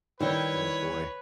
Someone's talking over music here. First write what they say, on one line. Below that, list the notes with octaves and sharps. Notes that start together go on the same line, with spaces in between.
Oh, boy.
D#3 G3 E4 B4 C#5 G5